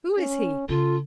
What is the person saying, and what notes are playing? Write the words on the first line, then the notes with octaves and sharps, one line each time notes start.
Who is he?'
C#4
C#3 F4 A4